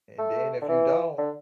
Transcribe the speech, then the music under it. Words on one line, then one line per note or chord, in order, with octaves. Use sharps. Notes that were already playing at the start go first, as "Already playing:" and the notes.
And then if you don't
A3
D3
E3
D3